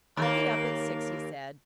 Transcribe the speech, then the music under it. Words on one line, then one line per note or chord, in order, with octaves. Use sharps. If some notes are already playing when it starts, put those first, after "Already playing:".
"I get up at six," he said.
D#2 A#3